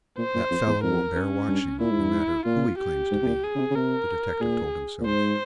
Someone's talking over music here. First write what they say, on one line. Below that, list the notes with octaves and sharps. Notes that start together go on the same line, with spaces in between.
"That fellow will bear watching, no matter who he claims to be," the detective told himself.
A#2 C5
A#2
F2
E2
F2 A#4
C#4
G2
A#2 E4
G#2
G2
G#2
A#2 F4
G4
G#2
C3
A#2
G#4
C#3
C3
C#3
C3 A#4
A#2 G#4
A#2
G#2 C5